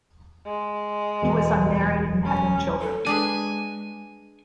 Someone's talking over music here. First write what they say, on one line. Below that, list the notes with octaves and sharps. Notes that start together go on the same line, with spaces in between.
He was unmarried and had no children.
G#3
E1
C#4
A4
G#3 D4 G#4 B4 G#5